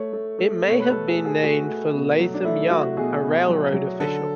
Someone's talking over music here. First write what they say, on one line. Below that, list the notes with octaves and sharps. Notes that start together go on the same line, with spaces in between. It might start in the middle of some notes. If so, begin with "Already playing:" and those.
It may have been named for Latham Young, a railroad official.
Already playing: A3 C#5
A3
A3
B2
C#5
B4
A3 A4
G#4
A3
G#4
A3 F#4
A3
B2
F#3
D4
A3 E4
A3 F#4
B2 G#4
B2
F#3
F#3
D3 A4